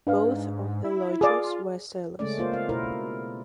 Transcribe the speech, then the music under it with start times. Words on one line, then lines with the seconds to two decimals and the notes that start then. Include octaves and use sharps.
Both of the lodgers were sailors.
0.07 G#2 D4 B4 F5
0.84 E4
1.21 F4 G#4 D5
2.19 C#3 G#3 A3 C#4 D5
2.38 A#3 F4 C5
2.52 B3 F5
2.69 B2 E4 A#4 C5